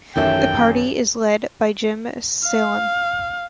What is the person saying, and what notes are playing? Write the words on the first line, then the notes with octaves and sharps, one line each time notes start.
The party is led by Jim Saleam.
A1 F#2 D#3 G4 A4 E5 G5
F5